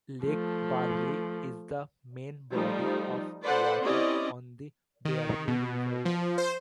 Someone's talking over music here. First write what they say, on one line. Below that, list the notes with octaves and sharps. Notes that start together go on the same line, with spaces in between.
Lake Barley is the main body of water on the Barley River.
F3 A3
F3 G3 A3 D#4
A4 B4 C5 D5 F#5
C4 C#4 E4 G4 D5 D#5
D#3
B2
F3
C5